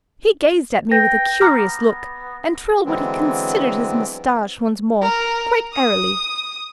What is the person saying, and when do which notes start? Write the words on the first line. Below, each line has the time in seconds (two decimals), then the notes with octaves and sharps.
He gazed at me with a curious look, and twirled what he considered his moustache once more, quite airily.
0.92 B4 G5 A#6
1.41 B3 A#5 D6 F6
2.86 D3 E3 F#3 G#3 B3 C4
5.02 A#4
5.74 D#6